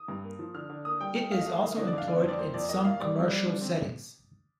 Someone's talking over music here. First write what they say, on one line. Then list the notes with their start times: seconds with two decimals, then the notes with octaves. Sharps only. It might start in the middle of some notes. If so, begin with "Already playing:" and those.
It is also employed in some commercial settings.
Already playing: D#6
0.08 G2
0.24 A#3
0.39 F3
0.54 D3 F6
0.69 D3
0.85 A#3 D#6
1.00 G3 G5
1.16 A3 G5
1.31 A3 F5
1.40 D#5
1.46 A3 F5
1.62 D#3
1.77 D3 D#5
1.87 D5
1.93 D3
1.98 F5
2.07 D3 D5
2.18 C5
2.23 F2
2.28 D5
2.38 A#3 C5
2.54 F2 D5
2.69 A#3 D#5
2.85 D#3 F5
3.00 G3 D5
3.15 G3
3.30 G3
3.46 D3
3.61 C4